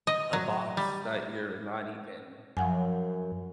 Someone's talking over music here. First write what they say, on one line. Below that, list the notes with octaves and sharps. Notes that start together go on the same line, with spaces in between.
a box that you're not even,
D#5
F#3
G3
F#2 F3 F#5 G#5